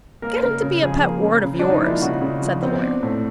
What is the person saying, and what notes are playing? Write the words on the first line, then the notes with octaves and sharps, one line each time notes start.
"Getting to be a pet word of yours," said the Lawyer.
A#3 A#4
C#3 A#4
C#3
F3 G#4
A#3
C#3
C#3
F3 D4
D#4
A#3 E4
F4
C#3 F#4
C#3
F3
B3 C4
D4
A2